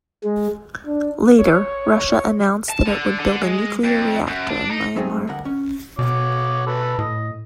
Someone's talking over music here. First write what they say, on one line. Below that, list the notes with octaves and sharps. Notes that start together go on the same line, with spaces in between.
Later, Russia announced that it would build a nuclear reactor in Myanmar.
G#3
D4
C#5
A5
D3
D3
G#3
F2
F#2
D4
D#4
F#3 G#3 A3 C4 D#4 G#4
D2 G2 A#4 F#5
C#4
B2 F#4 C#5 D6
A4 B4
A2 D#5